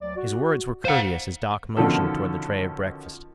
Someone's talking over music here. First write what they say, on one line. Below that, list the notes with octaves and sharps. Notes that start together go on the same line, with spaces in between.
His words were courteous as Doc motioned toward the tray of breakfast.
D2 F#3 D5
F#4
C5 F5 F#5
B2 D3 D#3 F3 C#4 A4